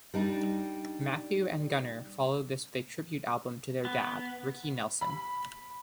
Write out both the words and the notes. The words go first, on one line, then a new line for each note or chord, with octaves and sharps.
Matthew and Gunnar followed this with a tribute album to their dad, Ricky Nelson.
G3 D4 D#4
B3
B5